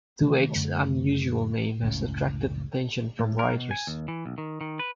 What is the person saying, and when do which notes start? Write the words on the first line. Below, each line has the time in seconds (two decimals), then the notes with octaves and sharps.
Two Egg's unusual name has attracted attention from writers.
0.21 C3 D#3 E3 A3
0.55 F#2 D3 A3
1.82 F#1 C#2 A2 C#3
3.19 A2
3.39 A#4
3.54 B2
3.71 G#5
3.87 D#2
4.08 E3
4.26 B1
4.38 D#3
4.61 D#3
4.79 B4